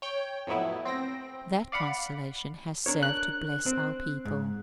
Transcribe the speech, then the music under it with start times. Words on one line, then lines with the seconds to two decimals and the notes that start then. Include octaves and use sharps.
That constellation has served to bless our people.
0.02 C#5 G5
0.47 F2 A2 F#3 B3 E4
0.85 C4 G5 A#6
1.72 D5 F5 F#5 B5
2.86 D4 A#4 C#5
3.03 F#6
3.66 C4
4.25 G#2